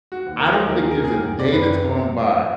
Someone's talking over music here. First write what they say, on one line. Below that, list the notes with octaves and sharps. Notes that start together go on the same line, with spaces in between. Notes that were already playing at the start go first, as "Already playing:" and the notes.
I don't think there's a day that's gone by
F#4
D#2
A#4
D#2 A#4
G#4
A#4
G#4
D#2 A#4
D5
F#2 B4